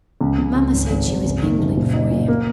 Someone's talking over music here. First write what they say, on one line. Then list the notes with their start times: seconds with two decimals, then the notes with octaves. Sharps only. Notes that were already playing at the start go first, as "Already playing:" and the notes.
Mamma said she was angling for you.
0.21 C#2
0.38 C#2
0.55 C#2
0.72 G#1
0.90 G#1
1.08 G#1
1.25 F#1
1.43 D#3
1.59 F#1
1.76 A#2
1.93 D#4
2.11 A#2
2.28 A#3